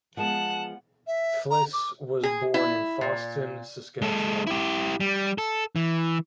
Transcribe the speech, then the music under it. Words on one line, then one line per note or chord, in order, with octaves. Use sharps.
Flis was born in Fosston, Saskatchewan.
F3 G#3 B3 F#5 A5 F#6
E5
A#5
D6
G#4
E4
A#2
G#3 A4
E4 G4
G3
A4
E3